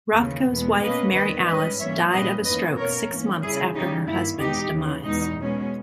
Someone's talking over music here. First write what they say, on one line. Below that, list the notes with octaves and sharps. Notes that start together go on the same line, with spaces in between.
Rothko's wife Mary Alice died of a stroke six months after her husband's demise.
D#2 C#3 E3
E2 B2 G#3 B3
B2 A#3 C#4 B4 D#5
D#2 D#3 G3 B4 D#5
G#2 G3 C#4 B4 D#5
G#2 E3 G3 A#3 C#4 C#5 E5
A#2 A#3 C#4 B4 D#5
E2 D#3 A#3 C#4 B4 D#5
B2 A#3 C#4 A#4 C#5
G#2 E3 A#3 C#4
C#3 G3 C#4 E4 G#4
C#3 E3 G3 C#4 D#4 G4
G2 D#3 A#3 E4
E2 B2 G#3 D#4 G4
D#2 C#3 E3
E2 B2 G#3 D#4
B2 G#3 C#4